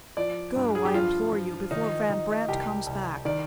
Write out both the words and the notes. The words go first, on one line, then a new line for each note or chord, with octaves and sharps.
Go, I implore you, before Van Brandt comes back.
F3 D5
G2
G#4
G4
F3 F4
F3
D#3 D#4
D#3
C2 G4
C2
D#3 D5